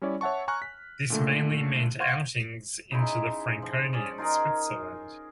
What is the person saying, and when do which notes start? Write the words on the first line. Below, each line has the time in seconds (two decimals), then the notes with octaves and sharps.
This mainly meant outings into the Franconian Switzerland.
0.02 G3 C#4 E4 C#5 D5
0.21 C#5 E5 F#5 A5 C#6
0.48 G#5 A#5 C#6 F6 F#6
0.62 B6
1.10 A#2 D3 A3
2.00 F5 F#5 C6 C#6 G6 G#6
2.91 C#3 D#4 E4 C6
3.62 F3
3.93 C#4 G#4 D5
4.18 D#4 F4 G#4 A#4